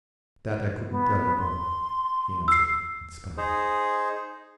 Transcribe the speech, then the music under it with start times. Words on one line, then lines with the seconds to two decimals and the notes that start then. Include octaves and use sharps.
"That I couldn't tell you, brother," he answered, and spat.
0.91 B3
1.38 C6
2.48 E6 C7
3.37 D#4 G#4 C5